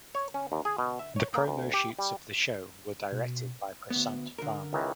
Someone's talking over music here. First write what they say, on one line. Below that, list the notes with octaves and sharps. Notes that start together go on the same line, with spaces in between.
The promo shoots of the show were directed by Prasanth Varma.
C#5
C#4
D#2
G#4
B2
E5
C#5
A#3
D2
G4
G3
B2
D2 B3
D3 A#4
C#2 D#3 E3